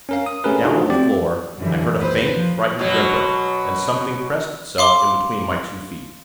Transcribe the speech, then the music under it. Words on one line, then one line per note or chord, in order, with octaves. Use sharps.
Down on the floor, I heard a faint, frightened whimper, and something pressed itself in between my two feet.
C#4 A#4 F5
D#6
A3 C#4 G4 G#4 A#4 B4
A3 D4 D#4 F4 F#4 G#4
A3 C4 G4 D5
F#2 D3 E3 G3
D#2 B4 C5
F3
B2 F#3
F5 C6 D6